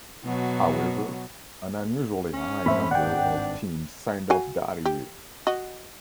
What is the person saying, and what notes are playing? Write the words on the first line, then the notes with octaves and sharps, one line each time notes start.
However, an unusually high number of teams signed up that year.
B2 F#3
C#4
G#2 A3 C4 C5 E5 B5
G#1 G2 D4 F#5 G5
F#4 F5 G#5
G4
F#4 D#5